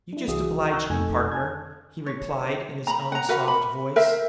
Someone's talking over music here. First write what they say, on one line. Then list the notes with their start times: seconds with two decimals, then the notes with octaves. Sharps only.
"You just oblige me, partner," he replied in his own soft voice.
0.13 D4 E4
0.28 C2 E3 F#4 G#4 E5 D#6
0.70 F#5 A#5 C#6 E6 F#6 G6
0.90 F2 A3 D#4 A4 G#5 G#6
1.32 G#5 A5 G#6
2.06 C#5
2.87 A#5 B5
3.12 F#5 A#5
3.29 F#4 A#4 B4 F#5
3.48 B5
3.96 A#4 C5 E5